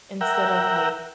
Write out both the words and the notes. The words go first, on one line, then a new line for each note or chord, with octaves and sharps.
Instead of like,
A#4 E5 F#5 G5